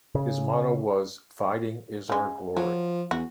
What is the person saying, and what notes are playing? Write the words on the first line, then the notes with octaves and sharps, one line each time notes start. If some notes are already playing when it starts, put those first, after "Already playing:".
His motto was: ""Fighting is our glory!
C#3
C#3 G#3
F3 F#3
E2 F#4